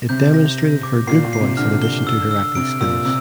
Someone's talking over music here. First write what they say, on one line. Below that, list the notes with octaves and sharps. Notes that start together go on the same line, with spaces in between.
It demonstrated her good voice in addition to her acting skills.
C3 G6
A#6
A#6
D6
A#2 C7
A#2
C7
C3
D3 F6
G7
E6
E6
C3 D7
A#2 E6
C3 E6